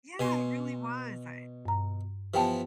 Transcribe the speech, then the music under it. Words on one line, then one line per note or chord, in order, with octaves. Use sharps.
Yeah, it really was. I
B2 G#5 C6
G2 A#5
E3 F3 B3 G4 G5 A5